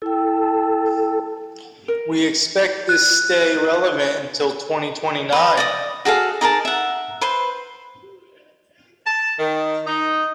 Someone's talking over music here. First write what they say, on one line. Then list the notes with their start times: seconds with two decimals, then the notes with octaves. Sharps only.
We expect this stay relevant until twenty-twenty-nine.
0.02 E4 A4 G5
1.88 A#4
2.89 F#6
5.32 B4 D#5
5.57 D5 D#5 D#6
6.05 F#4 G#4 A4 F5
6.41 D#4 G#4 A#4 A5
6.65 E5 F#5
7.21 B4 C5 C6
9.05 A5
9.39 D#3
9.87 D#4